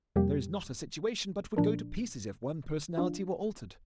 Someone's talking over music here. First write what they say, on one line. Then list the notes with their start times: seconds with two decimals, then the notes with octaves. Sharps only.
There is not a situation but would go to pieces if one personality were altered.
0.16 F2 C3 G3 A#3 G4
1.56 A#2 F3 D4 A#4
2.98 F3 D4 F4